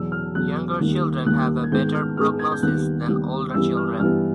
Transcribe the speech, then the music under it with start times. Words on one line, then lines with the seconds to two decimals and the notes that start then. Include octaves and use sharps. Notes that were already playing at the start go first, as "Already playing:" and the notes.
Younger children have a better prognosis than older children.
Already playing: E2 B2 F#3 E6
0.12 F6
0.35 E2 B2 F#3 F#6
0.81 D#2 D#3 G3 A#3
1.26 D#2 D#3 G3 A#3 F#6
1.64 G#6
1.72 G#2 D#3 G#3 B3 G6
1.95 F6
2.17 G#2 D#3 G#3 B3 F6
2.39 G#6
2.52 G6
2.63 D#2 D#3 G3 B3 F#6
3.08 D#2 D#3 G3 B3
3.54 G2 E3 G3 B3 E6
3.77 F6
3.99 G2 E3 G3 B3 F6